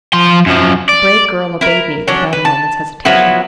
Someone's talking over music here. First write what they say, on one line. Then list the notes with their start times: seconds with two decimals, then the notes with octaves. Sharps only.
The brave girl obeyed me without a moment's hesitation.
0.13 F3 C6
0.47 F#2 F3
0.89 D5
1.61 E4 A#4
2.08 F#3 C#4 D4
2.33 B4
2.45 A5
3.05 F3 F#3 B3 E4